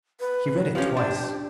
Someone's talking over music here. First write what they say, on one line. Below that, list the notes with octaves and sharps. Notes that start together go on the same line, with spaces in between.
He read it twice.
B4
F3 C#4 G4
D4